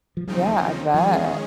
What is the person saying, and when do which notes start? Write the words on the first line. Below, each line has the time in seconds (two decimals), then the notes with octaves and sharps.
Yeah, I bet.
0.17 F3
0.27 D#2 C#3 F3 F#3 C4 D#4
0.94 D#3 F3 G#3 C#4 G#4